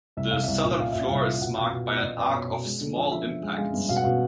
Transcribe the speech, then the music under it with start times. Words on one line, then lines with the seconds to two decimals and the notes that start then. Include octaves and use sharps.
The southern floor is marked by an arc of small impacts.
0.17 C2 E5
0.31 C2 F5
0.44 C2 E5
0.64 A#2
0.79 A#2 F5
0.92 A#2 E5
1.05 C2 F5
1.26 A#2
1.41 B2 F#5
1.57 B2 F5
1.72 B2
1.88 B3
1.97 D5
2.03 B2 D#5
2.19 B3 D5
2.34 B2 C#5
2.50 B2
2.65 G#3
2.81 D3
2.96 F3 D5
3.11 F3 E5
3.27 F3
3.43 G#3
3.58 G#3 F5
3.73 G2
3.89 B2 F5
3.96 F#5
4.04 B2 F5